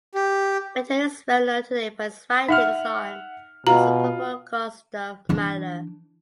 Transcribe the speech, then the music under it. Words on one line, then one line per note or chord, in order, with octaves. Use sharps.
Ritter is well known today for his writings on and support for Gustav Mahler.
G4
D#4 E5 F#5 F6
B2 F4 A#5
E3 D4